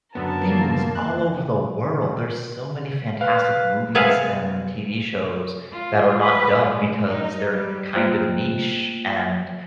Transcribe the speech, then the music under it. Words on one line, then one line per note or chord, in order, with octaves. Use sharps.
things all over the world, there's so many fantastic movies and TV shows that are not dubbed because they’re kind of niche, and
F#2 D3 F#3 B3 A#4 A5
A#3
F2 F#6
B4 F5
C3 B3 G#4 B4 E5 F5
F4
B4
G#3
D#4
G3
A#3 F4 C5 G5 F6 F#6